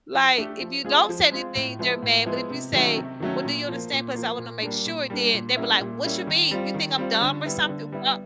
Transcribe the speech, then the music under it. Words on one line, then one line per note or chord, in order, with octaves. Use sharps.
Like, if you don't say anything, they're mad, but if you say, "Well, do you understand, 'cause I wanna make sure," then, they be like, "What's your beef? You think I'm dumb or something?" "What
F3
A3 D4 G4
F3
G#3 C4 F4 G#4
F3
G#3 C4 F4 G#4
A2
F3 G#3 B3 E4
A2
F3 G#3 B3 E4
C3
D#3 F#3 A3 C#4
C3
D#3 F#3 A3 C#4
A#2
F3 A#3
A#2
F3 A#3
A#2
G3 A#3 D4
A#2
G3 A#3 D4
A#2
G3 A#3 C#4 E4
A#2
G3 A#3 C#4 E4
D#3
G3 C4 F4
D#3
G3 C4 F4
D3
G3 B3 E4
D3
G3 B3 E4